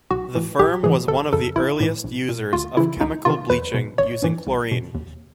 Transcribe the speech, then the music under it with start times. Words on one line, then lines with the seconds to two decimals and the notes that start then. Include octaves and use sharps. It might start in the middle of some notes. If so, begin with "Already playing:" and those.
The firm was one of the earliest users of chemical bleaching using chlorine.
0.11 B1 F#4
0.35 A2 E3
0.59 A#1 G4
0.83 A2 E3 G#4
1.08 G1 A4
1.33 F2 C#3 A4
1.56 A1 E4
1.80 A2 E3
2.04 A#1
2.29 A#2
2.53 D2 F4
2.77 C#3 E3 E4
3.01 C#2 D#4
3.25 C3 D#3 F4
3.50 E2 B4
3.74 B2
3.98 G#1 C#5
4.22 G2 E3
4.47 C2
4.71 B2
4.95 D#2